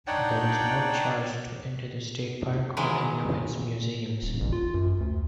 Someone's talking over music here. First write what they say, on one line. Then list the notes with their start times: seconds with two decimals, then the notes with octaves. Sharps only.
There is no charge to enter the state park or any of its museums.
0.07 D4 D#4 C#5 D5 F#5 G5
2.77 D#3 E3 F#3 G#3
4.23 D#1
4.40 A1
4.52 F4
4.74 F#2
5.00 D2